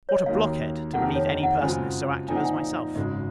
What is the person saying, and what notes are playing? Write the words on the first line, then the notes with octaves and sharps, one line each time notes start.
What a blockhead, to believe any person is so active as myself!
C#5
D#5
D#2 D#3 F#3 A#3 F5
F2 C3 D#3 A#3 F#5
C#5
D#5
F#5
F#2 C#3 G#3 C4 F4 G#5
A#2 F3 C4 D#4 G#5
F#5
G#5
F5
G#1 F#2 C#3 G#3 D#5